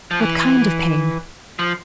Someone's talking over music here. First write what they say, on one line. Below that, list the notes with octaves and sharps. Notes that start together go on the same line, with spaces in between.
What kind of pain?
F3
E3
F3